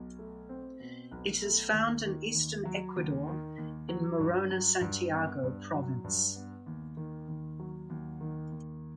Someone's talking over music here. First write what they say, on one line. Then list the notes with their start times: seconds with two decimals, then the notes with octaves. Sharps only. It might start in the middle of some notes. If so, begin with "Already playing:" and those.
It is found in eastern Ecuador in Morona Santiago province.
Already playing: B1 B2
0.19 A3
0.49 C4
0.80 B2
1.12 B1
1.42 A3
1.72 D#2
2.03 D#3
2.34 D#2
2.65 F#3
2.96 D#2
3.27 D#3
3.58 D#2
3.89 F#3
4.20 G2
4.50 F#3
4.81 G2
5.12 B3
5.43 G2
5.74 F#3
6.04 G2
6.36 B3
6.66 D#2
6.97 D#3
7.28 D#2
7.59 F#3
7.90 D#2
8.21 D#3
8.52 D#2